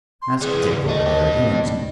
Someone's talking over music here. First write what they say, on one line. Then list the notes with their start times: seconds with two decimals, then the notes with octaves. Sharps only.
"Ask Dick over there; he knows him."
0.22 C6
0.41 E3 G3 G#4 F#6
0.64 G#2 C#3
0.89 A3 D#5
1.06 D4 G4